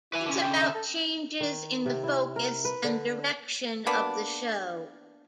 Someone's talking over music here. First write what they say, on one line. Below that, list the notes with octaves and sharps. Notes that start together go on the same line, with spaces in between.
It's about changes in the focus and direction of the show.
E4 B4 G#5
D3 C#4
G5
E5
A4
D#3
C3
E4
A#4
B4
D3
A#3 B3 D4